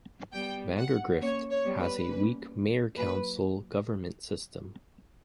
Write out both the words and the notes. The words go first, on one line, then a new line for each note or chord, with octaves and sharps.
Vandergrift has a weak mayor-council government system.
G3 B3 G5
F#5
A#3 C#4 C#5
C#5
G3 B3
B4
A#3 C#4
F#3 A#3 B4